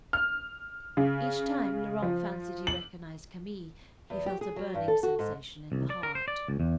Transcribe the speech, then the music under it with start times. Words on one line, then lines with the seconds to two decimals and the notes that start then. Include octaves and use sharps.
Each time Laurent fancied he recognised Camille, he felt a burning sensation in the heart.
0.13 F6
0.97 C#3
2.02 F3
2.67 F#7
4.10 E2
4.26 G4
4.41 G#4
4.56 F#3
4.75 G2
4.88 A4
5.03 F#4
5.19 G#2
5.72 C2
5.90 D5
6.03 A#4
6.15 C5
6.28 D5
6.48 C#2
6.60 E2